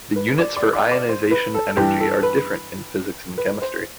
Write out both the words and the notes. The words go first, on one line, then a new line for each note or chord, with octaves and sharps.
The units for ionization energy are different in physics and chemistry.
B4
D5
D5
D5
D5
C5
B4
A4
G2 E3 G4
A4
B4
B4
C5